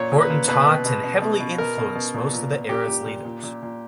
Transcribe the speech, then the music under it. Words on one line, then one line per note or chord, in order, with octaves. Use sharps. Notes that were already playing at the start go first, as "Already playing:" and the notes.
Horton taught and heavily influenced most of the era's leaders.
Already playing: A#2 C#5
A#2
B4
A#2
B2 B4
B2
B2
B2
B2
B2
B2 A#4
B2
B2
A#2
A#2
A#2
A#2 G4
A#2
A#2
A#2
A#2
A#2